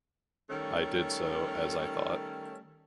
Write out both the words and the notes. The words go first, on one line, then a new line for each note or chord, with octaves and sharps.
I did so, as I thought.
D#3 G3 A3 C#4